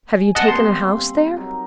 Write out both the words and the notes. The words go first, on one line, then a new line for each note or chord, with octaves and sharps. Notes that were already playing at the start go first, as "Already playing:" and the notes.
Have you taken a house there?'
G#5
C4 D#5 F#5 A5
C3 F3 G3 A#3 B3 C6
E5
F#3 D#4 A#4